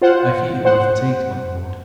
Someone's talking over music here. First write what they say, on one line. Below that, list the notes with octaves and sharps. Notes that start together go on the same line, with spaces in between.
'I fear you are fatigued, my lord.
F4 C5 F#5
C5 F#5